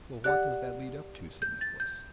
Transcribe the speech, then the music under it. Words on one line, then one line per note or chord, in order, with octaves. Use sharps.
"Well, what does that lead up to?" said Nicholas.
G4 D5 F#5 F#6
G6
A6
G6